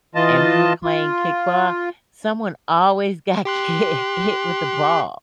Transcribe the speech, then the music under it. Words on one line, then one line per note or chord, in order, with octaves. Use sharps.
and we were playing kickball, someone always got ki hit with the ball,
E3 F4 D#5 A5
F4
G4 C6 F#6